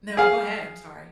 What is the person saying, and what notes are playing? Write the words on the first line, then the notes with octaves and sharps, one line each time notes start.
No, go ahead, I'm sorry.
G#4 F5